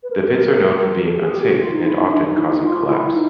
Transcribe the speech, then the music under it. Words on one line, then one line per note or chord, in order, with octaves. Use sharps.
The pits are known for being unsafe, and often causing collapse.
B4
A#4
A4
A#4
A4
G4
G#4
G4
F#4
F4
D#4
E4
D#4
D4
D#4
E4
D#4
F4
F4
E4
D#4